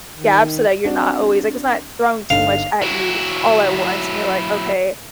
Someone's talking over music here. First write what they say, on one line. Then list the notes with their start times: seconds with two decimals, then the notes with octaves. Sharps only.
gaps so that you're not always like it's not throwing too much at you all at once and you're like, "Okay.
0.16 D#3
0.84 C4 D4 F#4
2.30 G1 D3 D#4 F5
2.82 F#3 E4